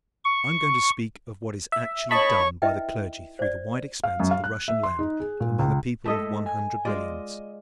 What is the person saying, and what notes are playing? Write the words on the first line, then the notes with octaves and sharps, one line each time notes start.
I am going to speak of what is actually done by the clergy through the wide expanse of the Russian land among a people of one hundred millions.
C#6
E5
C#5 D#5 A5 B5 C#6
D#4 E4 B4 D#5 E5 G5
C5 D5
F5
F#2
F5
F#6
E5
C6
D#4
G#4
A#2
C#2
A2 G#3 A4 D#5 E5 A5
G#5
G#3 F4 D5 D#5